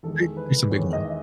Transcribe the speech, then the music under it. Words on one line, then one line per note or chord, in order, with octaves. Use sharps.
the is a big one.
E2 D#3 G#3 A4
B4
E2 D#3 G#3 C#5
D#5
E5